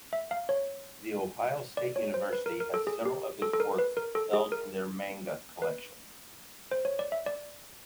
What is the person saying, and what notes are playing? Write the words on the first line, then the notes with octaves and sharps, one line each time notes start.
The Ohio State University has several of his works held in their Manga Collection.
E5
F5
C#5
D5
C#5
C5
B4
A#4
A#4
A4
G#4
G4
A4
A4
A#4
B4
A#4
A4
G#4
A#4
B4
C5
C#5
D5
E5
D5